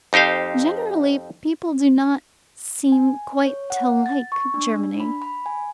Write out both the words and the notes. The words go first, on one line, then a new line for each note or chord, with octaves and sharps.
Generally people do not seem quite to like Germany.
F2 D#4 G4 C5 F5
G#5
C#5
F#5
A6
C#6
D4
D4
B5
B5
G#5